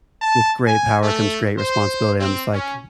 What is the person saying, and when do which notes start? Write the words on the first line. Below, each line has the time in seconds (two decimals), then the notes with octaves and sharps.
"With great power comes great responsibility." I'm just like,
0.21 A5
0.66 G#5
1.02 A3
1.58 C5
2.19 C4
2.52 C#4